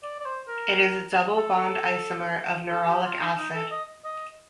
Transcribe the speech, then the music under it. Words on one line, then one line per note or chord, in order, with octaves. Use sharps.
It is a double bond isomer of nerolic acid.
D5
D5
C5
A#4
A4
A4
G4
F4
D#4
D#4
A4
D#5
D#5